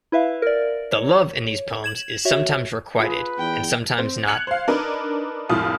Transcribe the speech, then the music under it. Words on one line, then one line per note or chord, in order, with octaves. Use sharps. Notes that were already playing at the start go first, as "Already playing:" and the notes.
The love in these poems is sometimes requited, and sometimes not.
E4 B4 E5 F5
A#4 D5
C#5
G#6 E7 F#7
F#4 C#5 E5
F4 G#4 B4
E2 G5
C4
F#6 G#6 C#7 F7 F#7
C5 F5
D4 D#4 A#4 B4
F1 C2 A2 F4 D#6